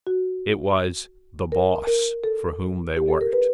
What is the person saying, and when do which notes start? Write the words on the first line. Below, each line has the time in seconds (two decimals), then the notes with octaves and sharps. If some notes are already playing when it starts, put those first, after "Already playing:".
It was "the Boss" for whom they worked.
0.07 F#4
1.52 A#4
1.87 A#4
2.24 A4
2.97 G4
3.08 A4
3.21 A#4
3.33 B4